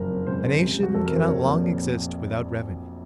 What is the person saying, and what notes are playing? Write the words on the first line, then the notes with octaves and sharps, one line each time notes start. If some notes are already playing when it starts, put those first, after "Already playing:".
A nation cannot long exist without revenues.
Already playing: F#1 F3 A#4
F2
C#2 C5
C#2
C3
F1
F#4
F1 A4
A#4
F2 C5
A#1 C#5
A#1